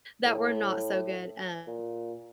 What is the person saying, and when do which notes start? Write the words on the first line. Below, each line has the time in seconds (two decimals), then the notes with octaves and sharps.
that were not so good, uh,
0.25 A2
1.67 A#2